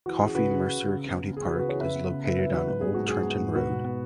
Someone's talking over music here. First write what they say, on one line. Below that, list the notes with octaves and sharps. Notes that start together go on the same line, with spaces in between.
Coffee Mercer County Park is located on Old Trenton Road.
E3 F#4
C#4 G#4
C#3 F#4 B4
C#3 G#4
C#3
C#3
C#3
B3
C#3
C#3 G#4
F#4 B4
C#3
F#4 B4
E3 G#4 C#5
C#3 B4 E5
B3
C#3
C#3 B4 E5
F#3 B4 E5
F#3 F#4 B4
G#2 B4
B3 G#4
G#2 F#4
B3 G#4
B3
G#2
B2 F#4 B4
B2
B3